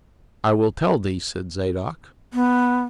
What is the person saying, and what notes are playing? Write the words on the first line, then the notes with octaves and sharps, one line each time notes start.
"I will tell thee," said Zadok.
B3